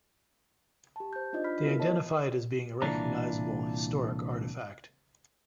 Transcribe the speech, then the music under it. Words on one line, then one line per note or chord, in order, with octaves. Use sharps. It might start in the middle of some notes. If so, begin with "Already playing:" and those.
They identify it as being a recognizable historic artifact.
G4 A5
C5 G6
D4 D#4 F4 D5 D#5
B5 F6 B6
B3 E4 F#4 A#4 B4
B4 C#5 D#5 A5
C2 A#2 E3 D4 A#5